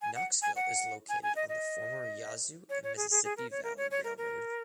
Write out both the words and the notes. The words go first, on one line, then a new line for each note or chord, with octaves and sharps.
Knoxville is located on the former Yazoo and Mississippi Valley Railroad.
G#5
F#5
G#5
F#5
G#5
G#5
D#5
D#5
C#5
C#5
G#4
G#4
G#4
A#4
C#5
A#4
C#5
C#5
A#4
A#4